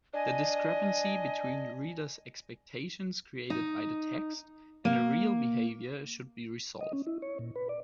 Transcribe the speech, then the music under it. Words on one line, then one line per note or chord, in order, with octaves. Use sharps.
The discrepancy between reader’s expectations created by the text and the real behaviour should be resolved.
D4 D#5 G#5
D#4
A#3
D#5
C#4
E4
C#5
A#2
B4
D5